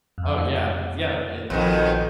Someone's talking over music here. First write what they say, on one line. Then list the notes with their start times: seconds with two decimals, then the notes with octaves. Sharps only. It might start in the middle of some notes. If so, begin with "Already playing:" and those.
Oh, yeah, is yeah, i
0.18 F2
1.50 A#1 F2 B2 D#3